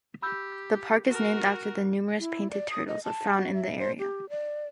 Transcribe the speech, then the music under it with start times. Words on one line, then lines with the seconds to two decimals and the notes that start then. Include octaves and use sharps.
The park is named after the numerous painted turtles found in the area.
0.22 G4 B5 E6 G6
1.07 F#4 A#4
2.19 E4
2.51 D5
2.70 D#6
2.88 D#5
3.04 A5
3.37 F#4
3.53 E5
3.79 C5
3.99 G4
4.30 D5